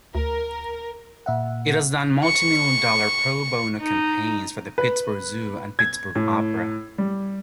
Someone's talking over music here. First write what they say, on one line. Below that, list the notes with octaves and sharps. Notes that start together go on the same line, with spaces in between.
It has done multimillion-dollar pro-bono campaigns for the Pittsburgh Zoo and Pittsburgh Opera.
D2 A#4
A#2 E5 F#5
C#6
D#4
B4
G#6
A2
G3